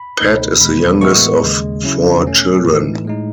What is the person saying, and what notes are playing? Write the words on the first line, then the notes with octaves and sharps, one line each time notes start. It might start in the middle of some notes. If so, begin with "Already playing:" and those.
Pat is the youngest of four children.
Already playing: B5
C#2 B2 A3 D#4
E2 B2 G#3 B5
A2 E3 G#3 B3 E4 C#6
D#2 C#3 G#3
C#3 F#3 C#4 E4
E2 B2 A3 C#4
A2 E3 A3 D#4
A2 G#3 D#4